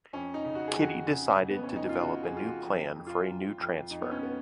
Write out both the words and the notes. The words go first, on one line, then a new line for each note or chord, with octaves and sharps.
Kidde decided to develop a new plan for a new transfer.
F2 C#4
D#4
C#3
F#4
G#4
F2 F#4
C#3
C#3
B3
C#4
F2
D#4
F4
C#3 F#4
G#4
F2 F4
F#4
F2
F2
F4
F2
F2
F2 D#4
B3
C#4
B3